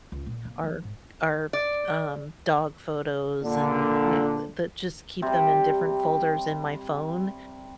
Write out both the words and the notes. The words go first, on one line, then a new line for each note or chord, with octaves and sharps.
our our, um, dog photos and, you kno uh, that just keep them in different folders in my phone,
C#2
A#2
A#3
F3
G#2
D5
A#2 D3
C3 G3